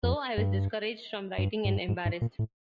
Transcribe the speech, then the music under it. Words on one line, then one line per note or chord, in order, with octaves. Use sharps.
So I was discouraged from writing and embarrassed.
F2
G2
G2
G#2
G2
G#2
G#2
A#2
A2